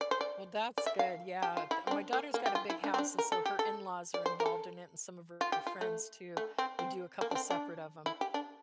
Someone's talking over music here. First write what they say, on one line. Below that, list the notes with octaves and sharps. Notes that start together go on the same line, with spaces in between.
Well, that's good, yeah, t my daughter's got a big house and so her in-laws are involved in it and some of her friends, too, we do a couple separate of 'em
D5
C5
D5
D5
E5
F5
G4
F4
E4
C4
D4
A#3
A#3
G4
F4
E4
D4
C4
D4
A#4
A4
G4
A4
D5
C5
A#4
A4
F4
G4
F4
A3
A3
C4
C4
A#3
D4
C4
D4
E4
G4
D4